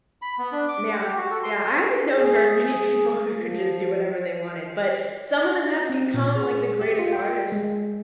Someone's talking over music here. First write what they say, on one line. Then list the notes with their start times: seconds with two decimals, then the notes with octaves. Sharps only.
Yeah. Yeah, I haven't known very many people who could just do whatever they wanted, but some of them have become, like, the greatest artists
0.22 B5
0.38 B3
0.52 D4
0.68 D6
0.91 F#5
1.04 G4
1.17 F#4
1.30 A4
1.43 C6
2.14 G#4
3.32 F3
5.90 C4
6.14 A#2
6.35 G#4
6.81 G4
6.99 F4
7.13 G5
7.52 G#3